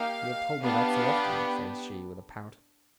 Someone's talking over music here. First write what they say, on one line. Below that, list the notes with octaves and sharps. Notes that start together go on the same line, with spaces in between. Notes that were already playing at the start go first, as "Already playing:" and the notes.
"You have told me that so often," says she, with a pout.
Already playing: A#3 D#4 G4 F5
B3 D4 G4 F5